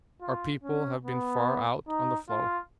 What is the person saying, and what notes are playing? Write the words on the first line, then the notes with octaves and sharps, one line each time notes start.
Our people have been far out on the floe.
F4
C#4
B3
D#4
F4